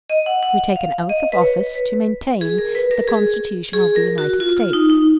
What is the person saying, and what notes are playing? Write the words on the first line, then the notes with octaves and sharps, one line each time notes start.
We take an oath of office to maintain the Constitution of the United States.
D#5
F#5
F#5
F5
D#5
B4
C#5
B4
G#4
A#4
B4
A#4
G#4
G#4
A#4
F#4
F4
F4
D#4
D#4